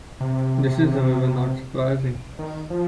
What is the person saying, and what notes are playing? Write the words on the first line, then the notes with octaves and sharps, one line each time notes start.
This is, however, not surprising.
C3
D#3
F3